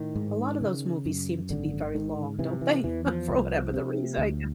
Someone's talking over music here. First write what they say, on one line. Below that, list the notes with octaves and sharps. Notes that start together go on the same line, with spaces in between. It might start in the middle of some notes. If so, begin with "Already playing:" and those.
a lotta those movies seem to be very long, don't they? For whatever the reason, I guess.
Already playing: A2 D#3
G#2
C#3
F#2
G#1 D3
G#2 D#3
C3 E3
E3
E2 E3
F3
C2
C3
D2